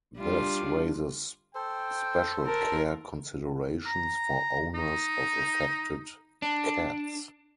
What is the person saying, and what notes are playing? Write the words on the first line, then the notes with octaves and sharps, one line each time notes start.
This raises special care considerations for owners of affected cats.
G3 D4 F4
A4 C5 G5
A#4 A5
A#5
D#4
D4